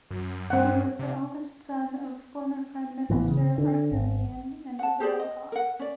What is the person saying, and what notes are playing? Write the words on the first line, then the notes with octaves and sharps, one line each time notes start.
He was the eldest son of former Prime Minister Arthur Meighen and Isabel Cox.
F#2
G2 C4 F#5
C3
A1 E3 B3
C#3
D3
G#1
F#5 A5
G4 G#4 C5 D5
D#5
A#4 F#5
C#4 D5